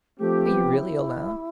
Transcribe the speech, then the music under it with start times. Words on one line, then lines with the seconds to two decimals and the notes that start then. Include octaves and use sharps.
Are you really alone?
0.19 F3 A3 C4 G4
0.46 B3
0.73 E4